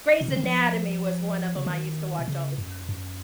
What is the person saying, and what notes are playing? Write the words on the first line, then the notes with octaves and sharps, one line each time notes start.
Grey's Anatomy was one of 'em I used to watch all the time.
B2
C#3
D#3
F3
C#3
D#3
B2
C#3
F#2
F#2